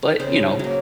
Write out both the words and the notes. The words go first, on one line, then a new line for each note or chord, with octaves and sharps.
But, you know,
C#3 C5
F#3 A#3